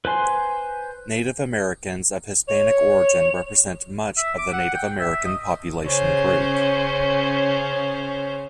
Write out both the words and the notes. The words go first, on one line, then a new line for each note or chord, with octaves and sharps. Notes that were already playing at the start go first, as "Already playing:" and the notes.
Native Americans of Hispanic origin represent much of the Native American population group.
B4 C5 G#5 C6
C#5
E5
D6
F#5
G5
E5
D#5
C#3 C#4 C5